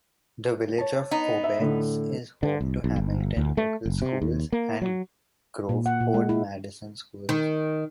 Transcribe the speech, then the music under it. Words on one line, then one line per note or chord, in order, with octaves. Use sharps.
The Village of Obetz is home to Hamilton Local Schools and Groveport Madison Schools.
C#5 A5
B3 D#4
E5
A2 D3
D3
C2
B1
G1
D2
A3
F#1
C3
D#2
A#3
F#3
A#2
F#5
A#2
G#3
E4
D#3